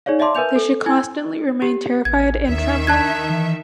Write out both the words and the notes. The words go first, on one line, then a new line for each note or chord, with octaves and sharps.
They should constantly remain terrified and trembling.
D#4 G#4 C#5 D5 F5
D5 E5 F5 A5 C6 D6
A#4 B4 E5 G#5 G6 F7
A4
E4 G#5 G#6
G4
A1 G#6
D#2 D#3 E5
A5 F#6 G#6
E3